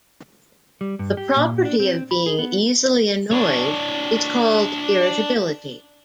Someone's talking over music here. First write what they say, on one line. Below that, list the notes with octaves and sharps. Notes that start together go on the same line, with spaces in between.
The property of being easily annoyed is called irritability.
G3
G2
G4
A#2
D4
C4
B5
G#4
B3
D4 C#5